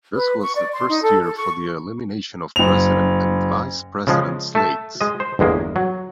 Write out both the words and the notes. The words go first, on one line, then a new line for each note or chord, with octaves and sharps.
This was the first year for the elimination of President and Vice President slates.
B4
C#6
D5
C6
D#4
A4
A4
C#6
F#1 F7
C#3 F3 G#3
A3 A5
G#3 D#5
C5
G1 E2 G#3 A#3
F#3